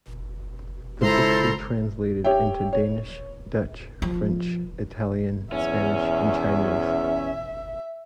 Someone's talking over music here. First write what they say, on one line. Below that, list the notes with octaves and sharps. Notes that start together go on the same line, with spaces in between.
The books were translated into Danish, Dutch, French, Italian, Spanish and Chinese.
C#3 G#3 E4 F4 A4 C5 A#5 C6
G4 C#5 E5 G5
C#5
F3
E2 C#4 E5